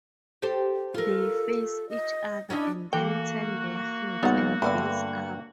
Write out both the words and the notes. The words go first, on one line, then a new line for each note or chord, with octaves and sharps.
They face each other and then turn their heads and bills up.
G4 A4 C5
F4 A4 A#4
D#5
C#4 D4 E4 D#5
E3 A#3 F#4 A4 G5
C#2 A#2 F#3 G3 B3 D#4 F#5
G2 D3 A3 B3 D5 B5